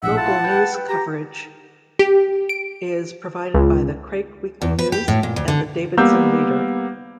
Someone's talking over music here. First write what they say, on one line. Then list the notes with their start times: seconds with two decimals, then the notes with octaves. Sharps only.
Local news coverage is provided by the "Craik Weekly News" and the "Davidson Leader".
0.03 A#1 A2 E5 F#5
0.17 E4 F4 A5
0.44 B4 G5
0.89 G4 A#5
1.99 G4
2.49 D7
3.54 C#2
4.62 E2
4.79 B4
4.92 G4
5.08 A2
5.23 A#2
5.36 D2
5.48 D3
5.97 G3 A#3 B3 D6 E6 G6